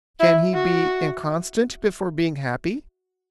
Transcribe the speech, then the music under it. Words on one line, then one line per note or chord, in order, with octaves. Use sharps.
"Can he be inconstant before being happy?"
E4
F#4